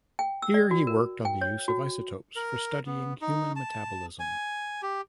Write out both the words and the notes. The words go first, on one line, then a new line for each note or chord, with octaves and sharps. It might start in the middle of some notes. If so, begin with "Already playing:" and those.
Here he worked on the use of isotopes for studying human metabolism.
G5
E6
D5
F#4
A#4
G5
C#5
F#4
A#4
B3
D#4
A5
G#5
G4